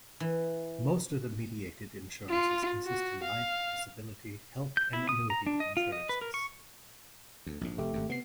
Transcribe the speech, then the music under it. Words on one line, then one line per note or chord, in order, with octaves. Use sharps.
Most of the mediated insurances consist in life, disability, health and annuity insurances.
E3
F4
F#4
F5
G6
E4
D#6
A#5
D4
D#5
F4
D#5
B4
A#4
C#6
D2
A#1 G#2
F1 A3 G4
G#1 F#2
C3 B3 C7